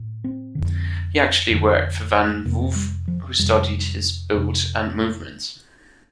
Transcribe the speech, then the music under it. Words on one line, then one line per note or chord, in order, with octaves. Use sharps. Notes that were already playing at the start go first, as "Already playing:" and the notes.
He actually worked for Van Wouw who studied his build and movements.
Already playing: A2
C4
F2 D3
F2 D3
F2 C3 A#3
G3
F3
F2 C3 G3
F2 C3